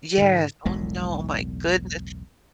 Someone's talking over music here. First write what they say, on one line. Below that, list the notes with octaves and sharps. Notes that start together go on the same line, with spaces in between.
Yes. Oh, no, oh my goodness.
G#2 D3
E1 B1 A2 G#3